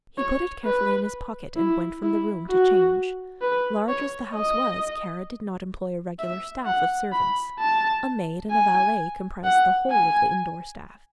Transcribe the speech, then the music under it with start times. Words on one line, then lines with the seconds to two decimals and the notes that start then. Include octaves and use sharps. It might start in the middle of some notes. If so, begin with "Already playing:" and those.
He put it carefully in his pocket and went from the room to change. Large as the house was Kara did not employ a regular staff of servants. A maid and a valet comprised the whole of the indoor staff.
0.18 C#5
0.64 B4
1.56 E4
2.03 E4
2.49 F#4
3.41 B4
3.89 C#5
4.35 D#5
6.19 E5
6.66 F#5
7.12 B5
7.59 A5
8.51 G#5
9.44 F#5
9.90 G#5